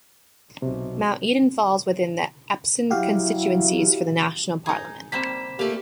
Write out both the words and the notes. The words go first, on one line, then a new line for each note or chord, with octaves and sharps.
Mount Eden falls within the Epsom constituencies for the national Parliament.
B1 C3
F#3 E4 F#4 G4 F5
D#4 G#4
G3 A#3 C4 B6 E7
A#2 A3 G4 D5 F5